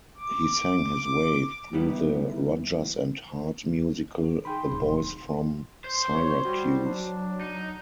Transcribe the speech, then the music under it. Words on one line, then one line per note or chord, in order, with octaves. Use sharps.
He sang his way through the Rodgers and Hart musical "The Boys from Syracuse".
D6
D#3 G3 B3 E4
D#3 G#4 G5 B5 C6
D1 C3
C5 G6
C#5
G3 F#4
F#3 D4
D#4